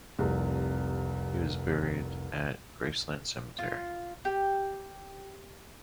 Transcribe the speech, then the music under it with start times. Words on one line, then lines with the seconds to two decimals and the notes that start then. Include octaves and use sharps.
He was buried at Graceland Cemetery.
0.19 F1 C2
3.59 F4
4.25 G4